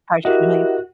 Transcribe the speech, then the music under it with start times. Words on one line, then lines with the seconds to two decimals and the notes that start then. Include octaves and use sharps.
Partridge Family.
0.25 E4 F#4 G4 A#4 D#5